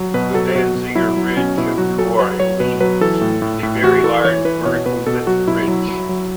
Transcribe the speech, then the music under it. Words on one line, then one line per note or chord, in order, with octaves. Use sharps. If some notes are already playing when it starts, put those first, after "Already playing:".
The Danziger Bridge of New Orleans is a very large vertical lift bridge.
Already playing: F#3
B2 B4
F#3 A4
B2 F#4
B2
F#3 E4
F#3
B2 C#4
B2 E4
F#3 F#4
F#3 A4
F#3 B4
F#3 C#5
B2 B4
F#3 B4
E3 A4
A2
A2
A2
E3 F#4
E3 A4
E3 C#5
E3 B4
B2 C#5
B2 B4
B2 A4
F#3 F#4
B2 E4
F#3
F#3
F#3